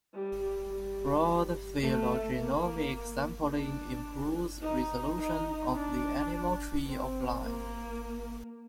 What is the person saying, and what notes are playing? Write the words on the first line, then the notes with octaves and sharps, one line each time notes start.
"Broad phylogenomic sampling improves resolution of the animal tree of life".
G3
G3
A3
A#3
D4
D#4
D#4
D4
C4
A#3